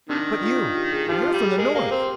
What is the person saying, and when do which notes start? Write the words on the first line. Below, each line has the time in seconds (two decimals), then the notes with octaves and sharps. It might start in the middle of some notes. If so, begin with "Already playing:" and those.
"But you--you're from the North."
0.09 C3 D#3 D4
0.42 F4
0.59 F4
0.75 G4
0.92 G#4
1.08 D3 F3 G4
1.26 G4
1.33 G3
1.42 G#4
1.58 G#3 A#4
1.75 A#3 G4
1.91 C4 A#4